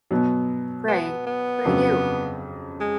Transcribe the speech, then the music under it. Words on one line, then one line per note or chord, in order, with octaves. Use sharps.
Pray, pray do.
B2 F#3 B3
B3
B3
F2 C#3 F#3
G#3